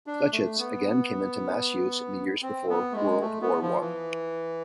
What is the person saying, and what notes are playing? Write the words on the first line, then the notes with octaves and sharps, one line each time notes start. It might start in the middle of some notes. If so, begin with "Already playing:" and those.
Flechettes again came into mass use in the years before World War One.
D4
A3
B3
C4
B3
A3
G#3
A3
B3
F3
E3